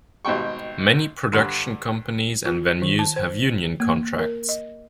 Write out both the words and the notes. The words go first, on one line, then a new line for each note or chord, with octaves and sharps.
Many production companies and venues have union contracts.
G#1 B2 G3 G5 C#6
G2 D3
F4
D#3
A5
C5
A#3
A#4
D#5